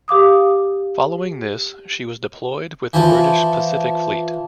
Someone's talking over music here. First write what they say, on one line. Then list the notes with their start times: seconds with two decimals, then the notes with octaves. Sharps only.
Following this, she was deployed with the British Pacific Fleet.
0.08 G4 F5 D6 D#6
2.93 E3 F3